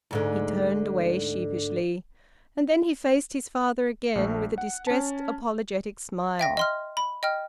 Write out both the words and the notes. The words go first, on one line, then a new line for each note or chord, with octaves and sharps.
He turned away sheepishly, and then he faced his father again, with a distressed, apologetic smile.
D2 G#2 D3
A#1 A3
F#5
C#4 A5
E5 G5 A#6
D#5 C6 F6
B5
D#5 G5 F6